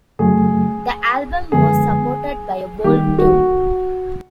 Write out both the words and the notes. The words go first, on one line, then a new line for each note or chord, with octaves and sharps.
The album was supported by a world tour.
F#2 C#3 F#3 A3 G#4
F#2 D3 F3 G#3 B3 G#4
D#3 G3 A#3 D#4 G4
F#4